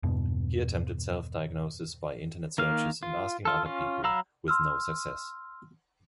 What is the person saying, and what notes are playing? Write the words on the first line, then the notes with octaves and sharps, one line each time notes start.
He attempted self-diagnosis by Internet searches and asking other people, with no success.
E2 G2 B2
D#3 A#3 F5
F4
F4 A4
C#4 F4
F#3 F5 A#5 B5 E6
C6 E6 F6